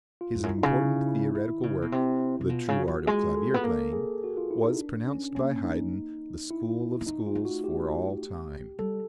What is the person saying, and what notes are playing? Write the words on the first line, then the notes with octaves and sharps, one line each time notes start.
His important theoretical work, "The True Art of Clavier Playing," was pronounced by Haydn the school of schools for all time.
F4
F2
F#2 E4
G2
C#3 D#4
E4
E4
D#3 E4
C#3
B2
C3
C3
B2 F4
C#3
F#4
E3
G#3 G#4
A4
B3
A#3 A4
G#4
F#4
F4
E4
D#4
D4
C#4
A#3 C#4
D#4
E4
A#3
A3 D#4
F4
A3
F#4
G4
G3 A4